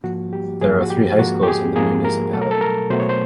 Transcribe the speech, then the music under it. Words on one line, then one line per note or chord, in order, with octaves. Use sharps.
There are three high schools in the municipality.
G#2 F3 A#3 F#4
G4
G#2 F3 A#3 G#4
F#4
G4
G#2 F3 A#3 F#4
G4
G#4
G#2 F3 A#3 G#4
A#4
B2 F#3 A3 A4
A#4
A4
A#4
B2 F#3 A3 C5
C#5
C5